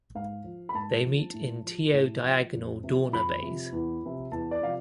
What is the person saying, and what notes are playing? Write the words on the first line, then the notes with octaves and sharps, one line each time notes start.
They meet in teo diagonal dorner bays.
G#2 F5
F3
B5
G#2 A5
F3
A2
F3
A2
F3
F2
C3 F3
F2 B5
C3 F3
E2
C3 F3
E2 A5
D5
C3 F3 F5